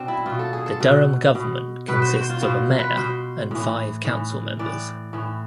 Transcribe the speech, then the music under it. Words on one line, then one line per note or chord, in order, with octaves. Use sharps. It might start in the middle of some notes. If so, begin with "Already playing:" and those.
The Durham government consists of a mayor and five council members.
Already playing: B2 C4 D4
E4
B2 F4
A4
G#4
A4
B2
B2
B2 B4
C5
C5
F4
B2 C5
B4
B2 C5
A2 E3
A2 E3
A2 E3 D5
A2 E3